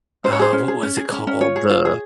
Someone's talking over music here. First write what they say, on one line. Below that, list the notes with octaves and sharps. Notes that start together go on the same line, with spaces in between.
Uh, what was it called? The
C#4 C5
C#5
G#4 C5
C#4
G#4
C#4
G#4
C#4
C#4
F4 C#5
G#4
F4
G#4